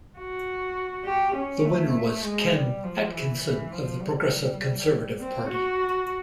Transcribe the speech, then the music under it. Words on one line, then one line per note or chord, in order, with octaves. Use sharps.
The winner was Ken Atkinson of the Progressive Conservative Party.
F#4
G4
C#4
A3
G#3
G3
F3
E3
E3
F3
G3
C4
F#4